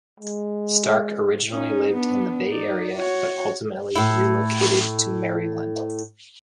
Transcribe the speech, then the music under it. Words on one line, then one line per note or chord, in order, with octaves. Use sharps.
Stark originally lived in the Bay Area, but ultimately relocated to Maryland.
G#3
C#4 D#4
B3 D4
D#4 D5
F#4 C#5
A2 E4